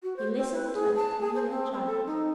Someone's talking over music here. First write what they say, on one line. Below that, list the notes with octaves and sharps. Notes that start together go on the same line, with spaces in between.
"He listened like a three-year child."
F#4
C5
C4
B4
G#4
A5
G#4
C5
C4
C4
A4
D#4